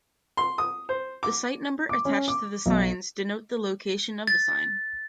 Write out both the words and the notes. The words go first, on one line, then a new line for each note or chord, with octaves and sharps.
The site number attached to the signs denote the location of the sign.
C6
D#6
C5
D6
D6
C#4
D6
B1
A6